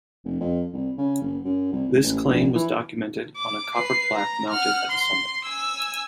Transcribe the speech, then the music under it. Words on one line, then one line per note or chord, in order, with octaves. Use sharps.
This claim was documented on a copper plaque mounted at the summit.
F1
F2
C2
C#3
F#1
F#2
C2
G#1
A1
A#1
E3
D6
B4 C7
A#5
F#5 F6
C6
G#5 E6